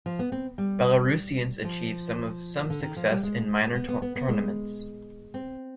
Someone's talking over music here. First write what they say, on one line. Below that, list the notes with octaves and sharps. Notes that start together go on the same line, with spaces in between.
Belarusians achieved some success in minor tournaments.
F3
B3
C4
G3
F3
D3
D#3
F3
G3
G#3
B3
B3
B3
B3
G#3
C4